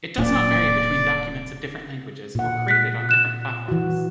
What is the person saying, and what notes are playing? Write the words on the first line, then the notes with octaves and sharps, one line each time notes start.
It does not vary between documents of different languages or created on different platforms.
D1 A#2 D5
A#2 F#5
F#6 B6
F#6 E7
E3 F#4